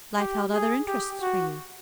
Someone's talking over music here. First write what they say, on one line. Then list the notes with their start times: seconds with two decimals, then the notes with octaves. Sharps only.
Life held other interests for you.
0.18 G4
0.53 G#4
0.87 G4
1.21 F#4